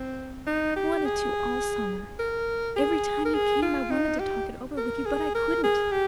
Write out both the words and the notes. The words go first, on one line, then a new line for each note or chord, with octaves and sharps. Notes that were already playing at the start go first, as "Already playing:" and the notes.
I've wanted to all summer--every time you came. I wanted to talk it over with you--but I COULDN'T.
Already playing: C4
D#4
G4
G#4
A#4
G#4
A#4
G#4
F4
D#4
G4
A#4
G#4
A#4
G#4
G4